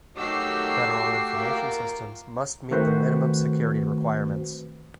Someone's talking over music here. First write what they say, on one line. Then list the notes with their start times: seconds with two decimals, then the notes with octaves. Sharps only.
Federal information systems must meet the minimum security requirements.
0.17 D#3 F#3 A3 D#4 F#4 G4 E6 C7
1.34 A#3 F4 A#4
2.71 D#3 A3 C4 F#4 B4 C5